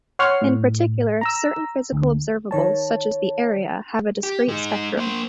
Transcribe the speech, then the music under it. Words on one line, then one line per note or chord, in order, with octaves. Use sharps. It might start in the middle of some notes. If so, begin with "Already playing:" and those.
In particular, certain physical observables, such as the area, have a discrete spectrum.
C#5 F#5 C6 C#6 F6
A2
A#5 E6
D2
D#3 C#5 A5
G4
G#3 D#4
A#3 C5